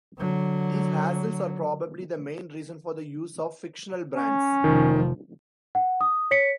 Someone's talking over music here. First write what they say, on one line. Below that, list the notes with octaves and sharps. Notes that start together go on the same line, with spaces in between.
These hassles are probably the main reason for the use of fictional brands.
D3 F#3
C#4
F1 D#3 F3
F#5
D#6
C#5 B6 C#7